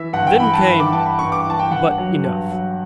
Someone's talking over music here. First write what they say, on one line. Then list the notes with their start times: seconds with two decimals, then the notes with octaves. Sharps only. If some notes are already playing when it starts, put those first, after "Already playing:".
Then came--But enough!
Already playing: E3 E5
0.13 G2 F#5
0.27 G5
0.40 E3 B5
0.54 A5
0.66 G2 B5
0.80 D6
0.93 E3 A5
1.06 B5
1.19 G2 C#6
1.32 D6
1.46 E3 A5
1.59 G5
1.72 G2 F#5
1.98 F#3
2.25 G2
2.52 F#3